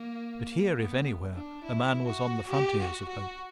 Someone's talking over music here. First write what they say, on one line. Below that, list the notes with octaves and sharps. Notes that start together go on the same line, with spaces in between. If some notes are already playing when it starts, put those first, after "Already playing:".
But here, if anywhere, a man was on the frontiers of hope.
Already playing: A#3
B3
D4
E4
F#4
G4
F#4
F#4